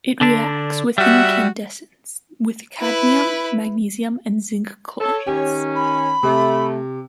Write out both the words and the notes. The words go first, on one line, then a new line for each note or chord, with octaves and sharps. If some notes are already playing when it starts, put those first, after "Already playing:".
It reacts with incandescence with cadmium, magnesium and zinc chlorates.
D3 D4
G3 F#4 E5 F#5
E4 B4
A4 C#5
D#3 C#4 G4
B5
C3 A3